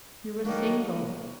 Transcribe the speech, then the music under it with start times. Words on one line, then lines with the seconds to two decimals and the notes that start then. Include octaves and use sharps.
You were single.
0.44 D#3 F#3 A#3 D4 F#4